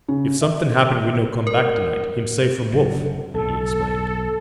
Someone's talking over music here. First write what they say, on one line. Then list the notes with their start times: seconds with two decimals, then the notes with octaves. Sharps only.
"If somethin' happen we no come back to-night heem safe from wolf," he explained.
0.08 C#3
0.41 E5
1.47 A#4
2.72 F#1 F#2 C3
3.34 B1 G#2 A4